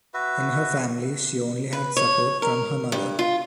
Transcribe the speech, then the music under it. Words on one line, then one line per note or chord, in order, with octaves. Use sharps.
In her family she only had support from her mother.
F#4 B4 E5
B4
C#5
A#4
G2
F4